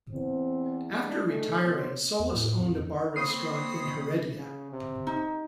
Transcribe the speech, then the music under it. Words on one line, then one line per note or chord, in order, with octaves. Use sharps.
After retiring, Solis owned a bar-restaurant in Heredia.
E2 C4
G3 G#3 D4
D#3 A3 G#4
G#2 B2 C5 C#5
E2
A2
F2
A#3 C4 C#5 B5 D#6 C7
C#3
C3
D#4